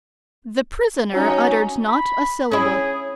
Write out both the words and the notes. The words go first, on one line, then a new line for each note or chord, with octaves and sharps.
The prisoner uttered not a syllable.
F#3 C#4 D#4
B5
C#4 E4 G#4